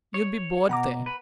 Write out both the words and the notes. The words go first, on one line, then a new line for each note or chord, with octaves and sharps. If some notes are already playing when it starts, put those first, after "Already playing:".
You'll be bored there.
C#5
B2 F#5 A#5 D6
B4